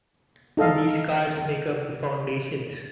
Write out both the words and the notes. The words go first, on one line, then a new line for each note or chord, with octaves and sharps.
These cards make up the foundations.
D#4 A4 D#5 F5